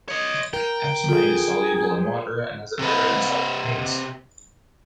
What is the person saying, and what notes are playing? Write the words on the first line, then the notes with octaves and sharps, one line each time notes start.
Epsomite is soluble in water and has a bitter and salty taste.
C#5 D#5
A#4 G5
F4 G#4 A4
C3 B4